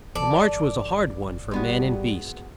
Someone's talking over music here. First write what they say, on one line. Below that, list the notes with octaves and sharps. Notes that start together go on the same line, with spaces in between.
The march was a hard one for man and beast.
G1 E3 A4 D5
G3 G#3 B3 F#4